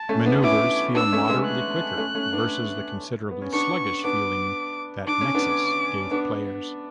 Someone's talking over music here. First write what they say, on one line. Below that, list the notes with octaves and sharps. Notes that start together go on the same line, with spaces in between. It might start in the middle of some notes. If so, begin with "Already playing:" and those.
Maneuvers feel moderately quicker versus the considerably sluggish feeling that "Nexus" gave players.
Already playing: A5
A3 C#4
B3 D4
C#4 E4 D6
B3 D4 E6
D4
A3 C#4
G#3 B3
F#6
A3 C#4
A3 C#4
B3 D4
B3
C#4
B3 D4 C#6
B3 D4 D6
D4 D6
C#4
B3 D4
B3 D4